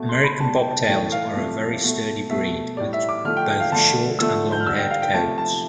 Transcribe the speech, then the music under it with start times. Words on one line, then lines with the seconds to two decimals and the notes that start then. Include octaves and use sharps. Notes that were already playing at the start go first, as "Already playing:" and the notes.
American Bobtails are a very sturdy breed, with both short- and long-haired coats.
Already playing: B2 A3
0.09 C6
0.24 B5
0.40 B2 G3 A5
0.55 G5
0.68 A5
0.88 A2 E3 A3 G5
1.12 F5
1.35 C3 F3 A3
1.82 B2 A3
2.30 B2 A3 E5
2.77 G3 D5
2.80 A2
2.93 E5
3.09 D6
3.24 D3 F3 A3 F6
3.37 G5
3.48 G5
3.60 F5
3.72 D3 F3 A3 A5
4.19 D3 F3 A3 E6
4.52 G6
4.60 F6
4.67 D3 G3 E6
4.79 G5
4.90 F5
5.02 G5
5.14 C3 F3 A3 A5
5.38 A5